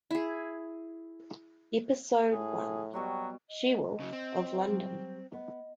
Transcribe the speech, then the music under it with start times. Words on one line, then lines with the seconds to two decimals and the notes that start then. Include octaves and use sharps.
Episode One: She Wolf of London.
0.11 E4 G#4
2.32 A2 G#4
2.93 B2 F#3 G3 F#4
3.49 D#5
4.00 C#3 F#3
4.13 C4
4.68 F#3 G3 G4
5.33 B3 D#5